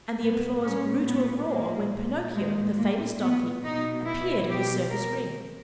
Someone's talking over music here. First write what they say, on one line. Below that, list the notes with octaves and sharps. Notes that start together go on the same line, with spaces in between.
And the applause grew to a roar when Pinocchio, the famous Donkey, appeared in the circus ring.
A#2 B3
C#4
B3
A#3
A#2
G#3
A#3
B3
B2 D#4
E4
G4
A#4